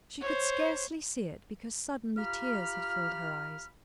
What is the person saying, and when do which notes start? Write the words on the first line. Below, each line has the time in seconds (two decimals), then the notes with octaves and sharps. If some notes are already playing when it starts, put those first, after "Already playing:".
She could scarcely see it, because suddenly tears had filled her eyes.
0.21 C5 C#5
2.17 F4 G4 A#5 B5 F6